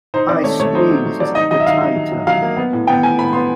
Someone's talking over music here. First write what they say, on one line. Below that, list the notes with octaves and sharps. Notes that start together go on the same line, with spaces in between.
I squeezed the tighter.
D#4 C5
C4 D5
A3 C#5
A3 C#5
D#4 C5
F#3
F#3
F#3 D5
D#4 D#5
F#3 D#5
E5
D#4 F5
D#4
F#3
F#3
F#3 F5
A#3
B3
A2
B3 G5
A2 G#5
A2 B5
B3 C6